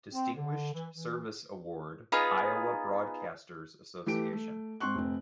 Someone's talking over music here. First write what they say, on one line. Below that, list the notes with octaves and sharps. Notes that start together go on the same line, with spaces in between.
Distinguished Service Award, Iowa Broadcasters Association.
C4
D3
E3
E3
B3 D#4 F4 G#4
E3 A3 G4 D7
A3
G#2 C4 C6 C#6 F#6
F1 C4